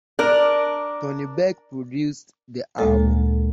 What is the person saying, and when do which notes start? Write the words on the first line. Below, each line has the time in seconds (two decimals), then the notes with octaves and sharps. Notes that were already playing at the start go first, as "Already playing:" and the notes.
Tony Berg produced the album.
0.19 D4 A#4
2.78 D2 A#2 G#3 A#3 A4 C#5